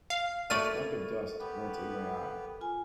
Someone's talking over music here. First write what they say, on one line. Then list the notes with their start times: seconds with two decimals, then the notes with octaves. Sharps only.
A spec of dust went in my eye.
0.10 F5
0.50 A3 E4 A4 A#4 D5 C#6 F6 D#7
1.39 B3 G4 B4
2.61 F4 G#5